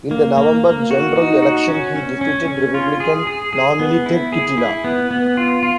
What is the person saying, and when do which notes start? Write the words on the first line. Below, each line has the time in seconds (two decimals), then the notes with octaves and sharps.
In the November general election he defeated Republican nominee Ted Kittila.
0.11 A#3
0.37 A#3
0.64 A#3
0.91 F#4
1.16 D#4
1.42 F#4
1.68 C#4
1.96 C#4
2.21 C#4
2.48 C#4
2.74 F4
3.00 G#4
3.27 G#4
3.53 G#4
3.79 B3
4.06 E4
4.32 G#4
4.58 E4
4.84 B3
5.11 B3
5.37 F4
5.63 F4